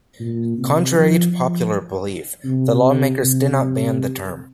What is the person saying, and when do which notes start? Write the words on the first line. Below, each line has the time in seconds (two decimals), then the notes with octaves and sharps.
Contrary to popular belief, the lawmakers did not ban the term.
0.20 A#2
0.58 C3
0.95 F3
1.32 F3
2.45 C3
3.20 C3